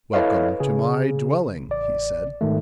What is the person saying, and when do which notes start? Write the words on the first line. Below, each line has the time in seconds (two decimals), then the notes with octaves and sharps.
"Welcome to my dwelling," he said.
0.14 E4 A4 B4 C#5 D#5 F5
0.60 C#3 G#4
1.69 A1 D5
2.41 G#2 D#3 A3